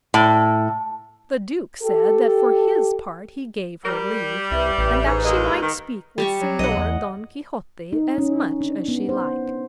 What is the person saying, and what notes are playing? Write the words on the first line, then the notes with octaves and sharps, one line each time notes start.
The duke said that for his part he gave her leave, and that she might speak with Senor Don Quixote as much as she liked.
A2
G4 A4
G3 A#4
C2 B4 E5
A1
G#2 B4
D#2 G#3
D#3
G3 G4 C#6
F#3
B1 D#5 F#5
E2
D#4
C#4
D4
B3
C5